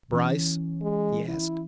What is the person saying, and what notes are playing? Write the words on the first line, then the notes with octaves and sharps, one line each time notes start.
"Bryce?" he asked.
E3 C#4
G#3
E4